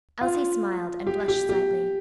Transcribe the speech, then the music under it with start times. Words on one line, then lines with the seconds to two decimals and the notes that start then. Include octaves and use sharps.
Elsie smiled, and blushed slightly.
0.21 F4
1.07 G4
1.28 G4
1.49 G4